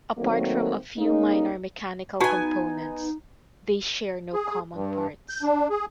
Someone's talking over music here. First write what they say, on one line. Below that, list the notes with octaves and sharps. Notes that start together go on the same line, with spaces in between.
Apart from a few minor mechanical components, they share no common parts.
D#3 F#3 A3 A#3 C4
G#3 A#3 C#4 D#4
B3 D#4 F#4 G#5 A5
G#4
G2
G6
D4
G#4